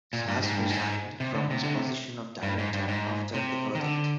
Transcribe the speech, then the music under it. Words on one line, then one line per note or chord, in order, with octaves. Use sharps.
Sas resigned from his position of director after the verdict.
A#2
G2
G#2
G2
G#2
C3
D3
C3
D3
C3
G2
G#2
G2
G#2
C3
D#3
D3